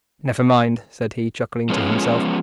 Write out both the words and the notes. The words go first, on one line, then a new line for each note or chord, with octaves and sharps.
"Never mind," said he, chuckling to himself.
F3 G#3 B3 C#4